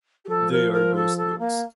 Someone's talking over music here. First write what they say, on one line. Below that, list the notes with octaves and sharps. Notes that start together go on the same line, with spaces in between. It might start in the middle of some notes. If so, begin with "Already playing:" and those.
They are ghost books.
G4
F3 A4
A#4
A#4
A4
A4
A#3